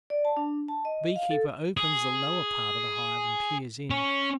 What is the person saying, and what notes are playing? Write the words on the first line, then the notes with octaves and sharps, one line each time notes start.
The beekeeper opens the lower part of the hive and peers in.
D5
A5
D4
A5
D#5
F5
A4
G#4
C#4